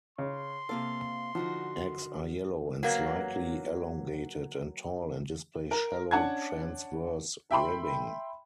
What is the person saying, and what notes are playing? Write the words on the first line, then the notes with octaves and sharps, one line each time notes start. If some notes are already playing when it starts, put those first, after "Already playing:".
Eggs are yellow and slightly elongated and tall and display shallow transverse ribbing.
C#3 C6
C3 A#3 A4 F5
D3 F3 D#4 F#4
F#3 A#3 B3
A#4
C#4 D4 F#5 A5 G#6
E5 G5 B5 C6